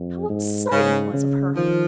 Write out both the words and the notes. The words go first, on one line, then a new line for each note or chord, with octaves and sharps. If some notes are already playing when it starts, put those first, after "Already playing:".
How absurd it was of her!
Already playing: F2
G#2
G#2 C#3
C#3
D#3 F3